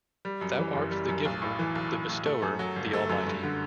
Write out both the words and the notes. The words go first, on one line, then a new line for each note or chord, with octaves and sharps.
Thou art the Giver, the Bestower, the Almighty.
G3
F#2
E3
F#1
G3
F#2
B1
A2
E3
B1
B1
A2
A3
F#2
F#3
G1
A3
F#2
G2
D3